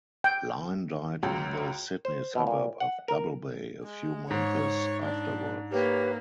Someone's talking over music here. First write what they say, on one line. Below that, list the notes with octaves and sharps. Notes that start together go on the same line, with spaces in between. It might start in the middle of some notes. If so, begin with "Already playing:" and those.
Lyne died in the Sydney suburb of Double Bay, a few months afterwards.
G5
C#2 F#2
C5
B2
A#2
F#5
A#4
G#3
G#2 C#5
D4
A#3 G4 B4 C#5